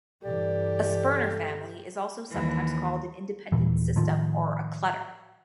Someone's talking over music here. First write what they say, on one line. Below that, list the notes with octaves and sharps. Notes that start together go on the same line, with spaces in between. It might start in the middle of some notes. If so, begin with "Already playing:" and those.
A Sperner family is also sometimes called an independent system or a clutter.
G2 C3 E3 G4 A4 D5
D#2 E3
D#1 A#2 E3
A2 D#3 F3